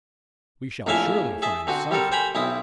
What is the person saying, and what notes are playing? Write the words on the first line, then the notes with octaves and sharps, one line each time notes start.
We shall surely find something.
A#1 F2 A2 E5 F5 G#5
G#4 E5 A5
D3 C4 F#4
G3 C4 A4 A#4
C5 G5 G#5 A#5 B5
B1 C4 E4 D#6